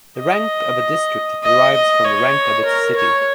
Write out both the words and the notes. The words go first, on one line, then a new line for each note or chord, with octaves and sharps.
The rank of a district derives from the rank of its city.
D#5
D#5
D#5
C#5
A#4
C#5